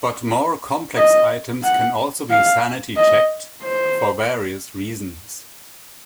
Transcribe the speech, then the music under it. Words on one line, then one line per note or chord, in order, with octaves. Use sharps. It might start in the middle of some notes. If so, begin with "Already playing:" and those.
But more complex items can also be sanity-checked for various reasons.
D#5
F#5
F5
D#5
C5